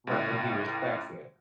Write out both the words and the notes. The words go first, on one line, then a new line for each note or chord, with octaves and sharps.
Right, and he respects it.
C#2 A2